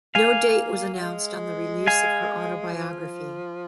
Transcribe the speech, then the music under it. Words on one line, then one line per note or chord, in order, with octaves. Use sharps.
No date was announced on the release of her autobiography.
A#3 F5 G#5
F#3
G#3
F5 G#5
F3